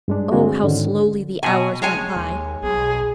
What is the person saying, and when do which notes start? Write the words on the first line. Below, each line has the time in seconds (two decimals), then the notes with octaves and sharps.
Oh, how slowly the hours went by!
0.08 G2 G#3 D4
0.32 D3 G#3 C4 F#4
0.63 G#2 D3 D#3 C#4
1.43 B2 G#5
1.82 G#3 C#5 G#5
2.16 D#2
2.63 B1 G#4